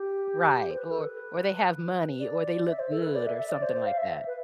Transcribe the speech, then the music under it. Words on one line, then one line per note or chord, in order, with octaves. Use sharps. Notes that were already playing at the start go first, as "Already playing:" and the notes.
Right. Or or they have money or they look good or something like that.
Already playing: G4
C5
B4
A4
B4
D5
E5
C5
A4
B4
D5
E5
E5
D5
C5
C5
F5
E5
B4